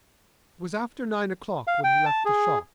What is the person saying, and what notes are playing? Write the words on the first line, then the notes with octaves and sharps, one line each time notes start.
It was after nine o'clock when he left the shop.
F5
G5
A5
G#4